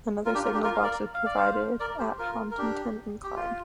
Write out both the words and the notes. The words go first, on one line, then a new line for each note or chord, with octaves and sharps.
Another signal box was provided at Honiton Incline.
F4 A#4
D4 G4
F4 A#4
D4 G4
F4 A#4
F5
A#4 D5
F5
D5
C5 F5
A#4 D5
G4 C5
F4 A#4
A#4
D4 G4
G4
F4